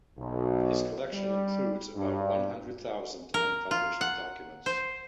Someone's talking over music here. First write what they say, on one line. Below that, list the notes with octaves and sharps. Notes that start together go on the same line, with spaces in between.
His collection includes about one hundred thousand unpublished documents.
B1
G3
G2
A#4
F4
F#5
C5